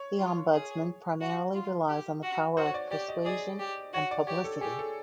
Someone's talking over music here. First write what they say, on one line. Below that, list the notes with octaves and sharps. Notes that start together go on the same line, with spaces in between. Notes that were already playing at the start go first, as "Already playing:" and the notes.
The Ombudsman primarily relies on the power of persuasion and publicity.
Already playing: C#5
F4
G#4
F#4
F4
G4
F#4
F#4 C5
C#5
D5
G4 D5
D#5
G#4 D5
G4
F#4 C#5
D5
G4 C#5
A4
G4 G#4
A4